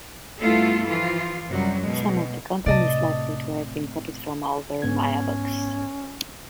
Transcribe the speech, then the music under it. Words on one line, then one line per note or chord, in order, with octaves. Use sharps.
Some of the content is likely to have been copied from older Maya books.
G2 A3 B3 E4 F4 A4
E3 F3 F4
F#2 C3 F#3 G3
B2 G#3
A2 C3 D5 D#5 A5
G#2 B3 C#4 G#6